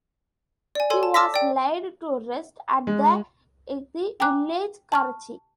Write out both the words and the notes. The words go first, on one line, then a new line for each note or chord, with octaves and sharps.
He was laid to rest at the Edhi Village Karachi.
D5 G#5
A4 C#5 G#5 C6
A5
A5 D6 E6 A#6 B6
D5 G5
G#3
G5 G#5 A#5 D6 F#6
A5 C#6 F6